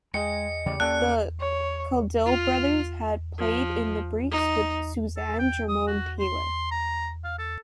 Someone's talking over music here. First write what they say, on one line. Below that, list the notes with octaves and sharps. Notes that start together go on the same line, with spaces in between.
The Caudill brothers had played in The Breaks with Susanne Jerome-Taylor.
G#3 G#4 D#5 G5 C#7
C#3 E3 A3 G4 D5
A#3 B3 C#4 A4 D5 G5 F#6
C#5
F4 F6
F3
D#4
A4
G5
D#6
F#4
C6
A#5
F5
A4